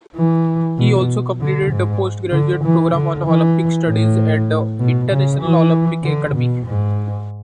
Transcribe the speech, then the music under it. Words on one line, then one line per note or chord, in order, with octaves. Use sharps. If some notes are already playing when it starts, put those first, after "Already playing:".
He also completed the postgraduate programme on Olympic Studies at the International Olympic Academy.
E3
B2
D3
G#2
D3
E3
D3
E3
A2
B2
C#3
E3
D3
B2
G#2